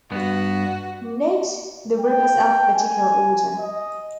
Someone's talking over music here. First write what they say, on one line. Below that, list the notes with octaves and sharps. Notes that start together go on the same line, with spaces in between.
Note the reverse alphabetical order.
G2 B3 F#4
G5
G#5
D#5